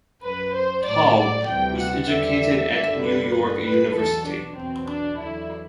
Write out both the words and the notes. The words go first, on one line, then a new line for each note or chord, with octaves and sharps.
Taub was educated at New York University.
F#2 F#3 B4
C5
A2 F#3 D5
D5
D2 C3 E3 G3 G5
F#5
E2 D3 G3 E5
F#2 D3 G3 E5
B4
G2 D3 G3 B4
B4
E2 B2 F#3 A4
D4
E2 B2 F#3 C4
D4
E2 D3 F#3 E4